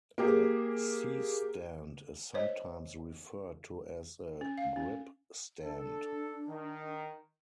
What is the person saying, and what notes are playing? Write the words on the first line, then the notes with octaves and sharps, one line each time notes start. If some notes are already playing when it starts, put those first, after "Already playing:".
A C-stand is sometimes referred to as a "grip stand".
A#3 G4 G#4
C5 C#5 D#5
C#4
F5
C#4
D4 A4
D#3